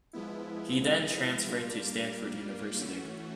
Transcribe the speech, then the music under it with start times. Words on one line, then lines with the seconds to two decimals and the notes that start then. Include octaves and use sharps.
He then transferred to Stanford University.
0.13 F3 G#3 B3 E4
1.47 G3 A#3 D4 F4
2.81 E3 A3 C#4 F#4